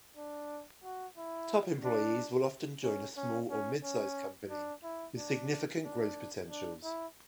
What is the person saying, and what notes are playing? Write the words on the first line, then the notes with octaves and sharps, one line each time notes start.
Top employees will often join a small or mid-size company, with significant growth potentials.
D4
F#4
E4
D4
C#4
C#4
C#4
C#4
D4
E4
D4
D4
D4
E4